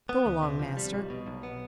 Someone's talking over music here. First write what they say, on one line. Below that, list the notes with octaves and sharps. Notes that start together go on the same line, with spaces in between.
'Go along, master!
B3
D2
C3
F3
G3
B1
B2
B1
B3